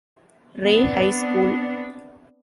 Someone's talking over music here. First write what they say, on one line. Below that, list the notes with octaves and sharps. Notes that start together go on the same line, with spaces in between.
Ray High School.
B3 C4 D4